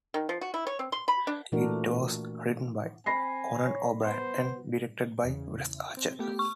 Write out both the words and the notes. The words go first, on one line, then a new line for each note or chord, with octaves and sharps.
It was written by Conan O'Brien and directed by Wes Archer.
D#3
F3
F#4
E4
C#5
C4
C6
B5
D4
A#2 E3 A3 D4 F#4 A#4
C4 G#5 B5 A#6 C7
C#5
B3 C5
E2 C#3
C4
A3 B3 G4
C#6